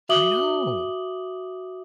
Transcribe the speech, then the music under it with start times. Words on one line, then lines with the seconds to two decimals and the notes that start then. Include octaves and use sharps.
I know.
0.09 F#4 E5 D6 D#6 F#7 G7